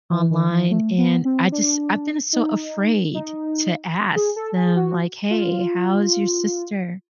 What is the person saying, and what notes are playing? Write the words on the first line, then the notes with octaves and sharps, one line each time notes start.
online, and I just I've been so afraid to ask them, like, "Hey, how's your sister,"
E3
D#3
E3
A3
B3
C4
D4
D#4
D#4
G#4
A4
G#4
F#4
F4